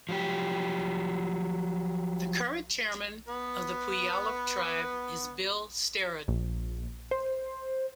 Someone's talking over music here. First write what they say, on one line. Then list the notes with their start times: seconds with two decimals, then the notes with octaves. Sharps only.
The current chairman of the Puyallup Tribe is Bill Sterud.
0.09 F3 F#3 G4
3.28 B3 B4
6.28 A#1
7.11 C5